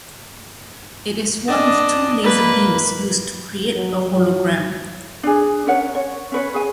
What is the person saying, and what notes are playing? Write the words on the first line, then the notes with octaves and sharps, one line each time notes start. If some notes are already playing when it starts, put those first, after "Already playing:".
It is one of two laser beams used to create a hologram.
D4 D#5
A#3 B4
F#3
F#3
D4 G#4
C#4 A#4 C#5 F#5
C#5
C#4 B4 C#5
G#4 G#5